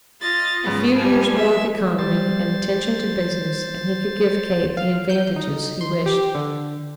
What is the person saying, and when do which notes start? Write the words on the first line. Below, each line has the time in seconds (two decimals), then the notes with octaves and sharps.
A few years more of economy and attention to business and he could give Kate the advantages he wished.
0.21 F4 D#5 A6
0.63 G#2 C#3 B3
0.95 F3 G3 G#5
1.37 E5
1.99 G3 C5 A6
4.77 F5
5.09 G6
5.36 D#4
5.81 C6
6.06 G4
6.35 D3